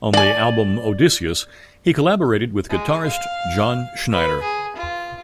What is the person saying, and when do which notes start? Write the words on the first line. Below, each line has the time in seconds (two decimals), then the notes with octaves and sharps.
On the album "Odysseus" he collaborated with guitarist John Schneider.
0.13 D5 G#5
2.69 G#3
3.06 F5
4.12 B4
4.42 G#4
4.76 F4